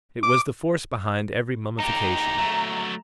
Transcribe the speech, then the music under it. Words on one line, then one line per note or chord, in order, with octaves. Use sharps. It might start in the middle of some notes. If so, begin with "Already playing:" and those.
It was the force behind every mummification.
D6
D#4 G4 A#5
F#3 A3